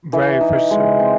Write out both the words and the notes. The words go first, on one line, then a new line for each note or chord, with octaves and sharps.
Right, for sure.
E3
D#4
G#3
C4